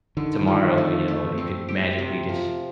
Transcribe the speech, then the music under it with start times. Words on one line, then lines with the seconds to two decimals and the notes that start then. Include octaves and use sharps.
tomorrow, you know, you could magically just
0.17 D3 D#3
0.47 F3
0.78 A3
1.08 A3
1.38 C4
1.68 G4
1.99 C3
2.29 F3